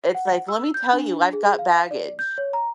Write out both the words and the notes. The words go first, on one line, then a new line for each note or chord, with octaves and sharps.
it's like, "Let me tell you, I've got baggage,"
F#5
E6
G6
D4
G#4
F5
D5
G6
C#5
A#5